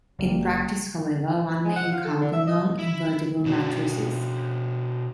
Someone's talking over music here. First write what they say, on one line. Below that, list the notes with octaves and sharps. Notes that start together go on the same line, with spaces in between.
In practice however, one may encounter non-invertible matrices.
F#1 F#3 G3 A#3
G#3
F#5
F4
A4
D3
E5
D#5
E4
B2 D4 F#4